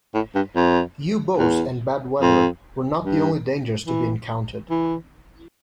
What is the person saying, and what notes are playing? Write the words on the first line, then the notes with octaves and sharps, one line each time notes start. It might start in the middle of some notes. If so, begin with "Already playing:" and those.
U-boats and bad weather were not the only dangers to be encountered.
A2
G2
F2
E2
F2
G2
E3
E3